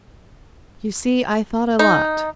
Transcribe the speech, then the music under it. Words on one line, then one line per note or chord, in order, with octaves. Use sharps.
You see, I thought a lot.
D#4